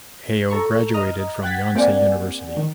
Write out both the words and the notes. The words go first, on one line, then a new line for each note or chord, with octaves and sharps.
Heo graduated from Yonsei University.
A4 A#5 C#6
D#5 A#5 D#6 F6
F#5 G5 F#6 G#6 A6 B6
A#3 C4 G4 D5 F#5 G#5
D#3